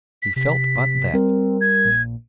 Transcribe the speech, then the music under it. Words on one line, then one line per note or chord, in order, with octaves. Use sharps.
He felt but that.
B6
C3 B6
G3 C4 A#4
G#6
A#1